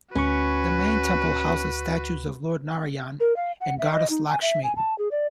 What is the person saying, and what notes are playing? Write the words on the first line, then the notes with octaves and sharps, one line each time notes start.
The main temple houses statues of Lord Narayan and Goddess Lakshmi.
D2 C#4 F#4 B4 B5 C#6
A#4
F5
F#5
E5
D#5
D#4
G#5
E5
G#5
A5
G#4
D5